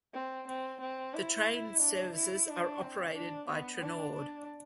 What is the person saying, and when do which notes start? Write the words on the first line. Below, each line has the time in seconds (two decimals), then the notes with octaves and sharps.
The train services are operated by Trenord.
0.14 C4
0.48 C4
0.81 C4
1.14 E4
1.81 D4
2.15 E4
2.49 D4
2.81 C4
3.15 D4
3.49 B3
3.82 D4
4.16 D4